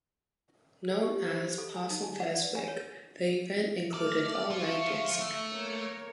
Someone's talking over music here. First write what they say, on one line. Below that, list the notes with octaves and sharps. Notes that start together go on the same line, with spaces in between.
Known as "Possum Fes' Wik", the event included all-night dancing.
G4
C5
C5
A4
G#5
D#4
G#5
F#5
D5
G#5
C#5
A3 D5 F6
F3 F4 E5 C#6
A3
A#3 C#5